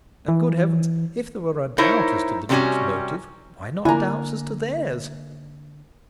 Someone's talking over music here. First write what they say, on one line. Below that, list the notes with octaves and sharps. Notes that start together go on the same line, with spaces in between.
And good heavens! If there were a doubt as to the Duke's motive, why not doubts as to theirs?...
E3
D#4 E4 A#4 C5 C#5
C3 D#3 G3 C#4 F#4 G#5
D3 A#3 D4 E4 F4 G#5 A#5